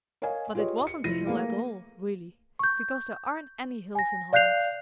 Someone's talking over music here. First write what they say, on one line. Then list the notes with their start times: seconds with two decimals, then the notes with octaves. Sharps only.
But it wasn't a hill at all, really, because there aren't any hills in Holland.
0.22 A#4 C#5 D#5 F5 G#5
0.55 F4 G4 G#4 B4 C#5 D#5
0.87 C#7
1.04 F1 E4 F4 A#6 D#7
1.27 A3 A#3 G#4 B4 F5
2.59 C#6 G6
3.95 G#5 A#6
4.33 D5 F5 F#6 G6 C7 F7